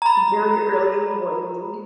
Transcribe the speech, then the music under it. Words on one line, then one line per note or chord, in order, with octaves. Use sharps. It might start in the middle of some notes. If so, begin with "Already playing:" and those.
Very early in the morning.
A#5 B5